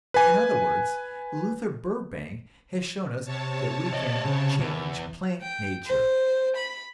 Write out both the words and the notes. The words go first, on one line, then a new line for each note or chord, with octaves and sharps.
In other words, Luther Burbank has shown us that we can "change plant nature."
B4 G#5
C3 C#5 A5
D5 D#5
C#3
E2
G5
C5
B5